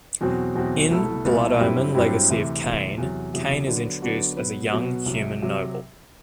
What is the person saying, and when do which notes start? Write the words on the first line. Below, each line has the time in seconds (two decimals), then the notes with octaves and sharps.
In "Blood Omen: Legacy of Kain", Kain is introduced as a young human noble.
0.21 E2 B2 F#3 C4 F#4
0.55 E2 B2 F#3 C4 F#4
0.90 C2 B2 A3 E4 A4
1.25 C2 B2 A3 E4 A4
1.60 G2 F#3 C4 E4 G4
1.94 G2 F#3 C4 E4 G4
2.28 D2 C3 E3
2.63 D2 C3 E3
2.98 E2 C3 F#3
3.33 E2 C3 F#3
3.67 D3 F#3 B3 D4 F#4
4.02 D3 F#3 B3 D4 F#4
4.36 B2 F#3 B3 F#4 B4
4.71 B2 F#3 B3 F#4 B4
5.05 C2 C3 F#3
5.42 C3 F#3